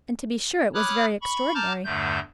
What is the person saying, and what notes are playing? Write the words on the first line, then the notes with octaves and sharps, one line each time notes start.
And to be sure it was very extraordinary.
C#5 B5 D6 D#6 F6 F#6
B5 C#6
A5 A#5 D6 F6 G6 A6
E2 G2 D3 A3 G6